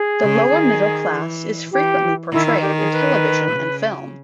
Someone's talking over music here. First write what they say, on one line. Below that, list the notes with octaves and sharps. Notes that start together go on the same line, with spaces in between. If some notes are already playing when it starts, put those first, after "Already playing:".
The lower-middle class is frequently portrayed in television and film.
Already playing: G#4
C#3
D#3
E3
E3 G4
D#3 E4
E4
G4
G#4
B4
C#3